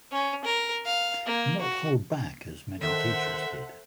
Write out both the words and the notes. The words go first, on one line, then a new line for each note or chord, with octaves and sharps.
Not hold back, as many teachers did.
C#4
A#4
F5
A#3
F#4
D#3 A4 C5 E5 F#5